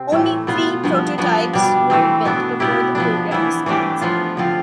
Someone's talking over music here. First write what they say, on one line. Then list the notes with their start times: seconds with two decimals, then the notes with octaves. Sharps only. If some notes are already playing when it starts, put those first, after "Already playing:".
Only three prototypes were built before the program was cancelled.
Already playing: C3 C4
0.12 A2 E3 A3
0.47 B2 B3 F4
0.84 G2 F3 B3
1.18 G2 F3 B3 D4
1.53 B2 G3 D4
1.90 E3 A3 C4
2.25 B2 B3 D4
2.60 B2 B3 E4 G4
2.95 F3 B3 D4
3.31 E3 B3 E4
3.66 E3 A3 D4 G4
4.01 F3 B3 F4
4.37 D3 F3 C4 F4